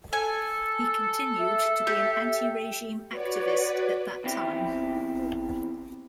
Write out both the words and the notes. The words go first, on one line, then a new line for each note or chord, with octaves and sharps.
He continued to be an anti-regime activist at that time.
A4 G#5
E5
G4
F#4 B4 C#5 D5
E2 C4 E4 G4